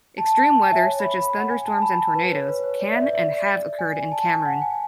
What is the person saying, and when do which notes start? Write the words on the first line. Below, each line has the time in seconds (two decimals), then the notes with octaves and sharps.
Extreme weather, such as thunderstorms and tornadoes, can and have occurred in Cameron.
0.18 A5
0.34 A5
0.50 A5
0.62 G#5
0.72 E5
0.83 C#5
1.00 B5
1.17 B5
1.37 F#5
1.50 G#5
1.65 A5
1.82 B5
1.98 A5
2.15 B4
2.32 C#5
2.48 B4
2.64 C#5
2.80 D5
2.92 E5
3.03 D5
3.13 E5
3.36 D5
3.79 G#5
3.96 G#5
4.12 A5
4.28 G#5
4.45 F#5
4.62 G#5